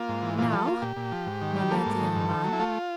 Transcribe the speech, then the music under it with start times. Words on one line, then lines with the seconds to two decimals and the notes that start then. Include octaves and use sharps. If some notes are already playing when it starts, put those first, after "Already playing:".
"Now," murmured the young man.
Already playing: A#3 F4
0.09 G#2
0.22 E3
0.38 A#2 F4
0.52 F3 A4
0.67 A#3 F4
0.82 A#2 G4
0.97 A#2
1.12 F3
1.26 G#2
1.42 D#3
1.56 G3
1.71 A#3 A4
1.86 G#2
2.01 D#3
2.16 G2
2.30 D#3
2.45 F#3
2.53 E4
2.60 A3 F4